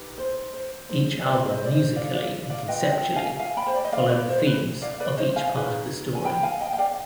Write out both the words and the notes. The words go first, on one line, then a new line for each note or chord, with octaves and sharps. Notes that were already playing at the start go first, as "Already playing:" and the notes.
Each album musically and conceptually followed the themes of each part of the story.
Already playing: D#4 G4 B4
C5
C5
C5
B4 D5
D5
C5 D#5
D5
C5 D#5
D5 F5
D5 F5
D5 F5
F4 B4 D#5 G5
D#5 G5
F5 G#5
F5 G#5
G5 B5
C5
D5
D#5
D5 F5
B4 D5
C5
B4
D5 F5
B4 D5
C5 D#5
F5 G#5
D#4 G#4 B4
G#5
G5 B5
F5 G#5
D#5 G5
G5
D5 F5